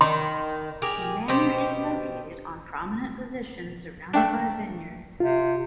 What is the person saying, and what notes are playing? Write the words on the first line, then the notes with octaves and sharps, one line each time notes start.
Manor is located on prominent position surrounded by vineyards.
D#3 C6
G4 G#4 A#4
B2 G4 C5
A3 D4 B4 E5 G5
C3 F4